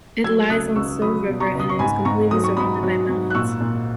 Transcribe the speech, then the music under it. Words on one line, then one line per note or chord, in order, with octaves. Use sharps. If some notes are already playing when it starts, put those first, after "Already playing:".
It lies on Sil River and it is completely surrounded by mountains.
F#3 E6 G#6
C#2 D#6 F#6
C#2 C#6 E6
F#3 B5 D#6
B2
A#5 C#6
C#2
D#6
C#6
G#2 G#5 B5
G#2 A#5 C#6
F#3 D#6
C#6
G#2 B5 D#6
F#3
G#2
F#6
A#2 C#6 E6
A#2